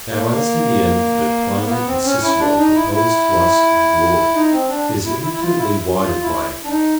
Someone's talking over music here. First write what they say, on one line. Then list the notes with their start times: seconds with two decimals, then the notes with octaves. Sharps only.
Now, as to the end that Pliny and Cicero propose to us of glory, 'tis infinitely wide of my account.
0.11 A#3
0.19 A3
0.28 A#3
1.52 B3
1.65 A#3
1.69 B3
1.87 C4
2.05 C#4
2.22 E4
2.40 D4
2.58 D#4
2.75 E4
2.94 E4
4.35 D#4
4.52 C4
4.69 D4
5.05 E4
5.22 E4
5.33 E4
5.41 F4
5.57 E4
5.99 F4
6.22 E4
6.64 D4
6.70 D#4